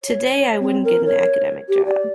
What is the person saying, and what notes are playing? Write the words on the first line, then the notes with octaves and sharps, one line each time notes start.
Today I wouldn't get an academic job.
C#5
C4
A#4
C#5
G4
D5